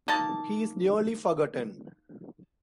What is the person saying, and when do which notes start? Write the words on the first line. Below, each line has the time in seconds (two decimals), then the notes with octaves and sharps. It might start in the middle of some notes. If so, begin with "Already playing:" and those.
He is nearly forgotten.
0.08 A#3 D#4 A5